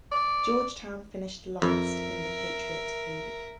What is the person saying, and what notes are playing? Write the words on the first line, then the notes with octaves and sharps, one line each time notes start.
Georgetown finished last in the Patriot League.
D5
F2 A#4 E5